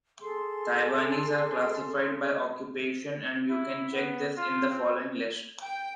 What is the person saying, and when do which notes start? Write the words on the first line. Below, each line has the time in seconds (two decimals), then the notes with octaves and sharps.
Taiwanese are classified by occupation, and you can check this in the following list.
0.19 G#4 A4 C6
3.50 E4
3.93 B3
4.37 F4
4.70 C4
5.62 G5